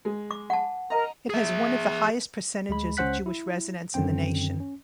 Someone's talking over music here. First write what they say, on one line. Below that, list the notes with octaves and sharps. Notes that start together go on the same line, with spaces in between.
It has one of the highest percentages of Jewish residents in the nation.
G#3
D6
F#5 A5
A#4 D#5 A#5
G#4 E5
D2 G#3 B5
C#2 C#4 C5 F#5 F#6 B6
E4
F#2 D3 D#3 C4 G5
C#4